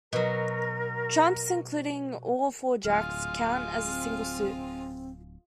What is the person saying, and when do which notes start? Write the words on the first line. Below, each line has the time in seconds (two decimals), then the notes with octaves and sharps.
Trumps, including all four jacks, count as a single suit.
0.13 B2 F#3 A#4
2.85 D1 G#3 F4 F6
3.83 C4